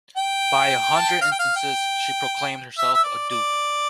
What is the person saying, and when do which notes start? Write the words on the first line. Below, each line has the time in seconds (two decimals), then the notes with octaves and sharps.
By a hundred instances she proclaimed herself a dupe.
0.17 G5
0.96 A5
1.09 G5
1.21 F5
1.31 G5
1.39 F5
1.56 G5
2.78 E5
2.94 E5
3.04 D5
3.29 D5